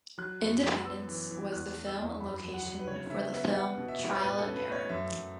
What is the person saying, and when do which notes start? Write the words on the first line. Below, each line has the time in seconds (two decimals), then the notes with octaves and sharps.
Independence was the film location for the film "Trial and Error".
0.18 F#3 F#6
0.40 F#2
0.63 F#2
0.85 B3 E6
1.08 E3
1.31 E3
1.52 E2 F#6
1.75 A3
1.86 E6
1.98 E2
2.20 F#2 B5
2.43 F#3
2.54 F#5
2.65 F#3
2.80 B4
2.87 C#3 C#5
3.10 C#3 E5
3.32 B3 E5
3.47 E5
3.55 B3 F#5
3.78 B2
3.88 E5
3.99 B2
4.13 C#5
4.22 A2 B4
4.38 A4
4.44 C#4
4.56 B4
4.67 A3 C#5
4.89 F#2 E5
5.12 F#2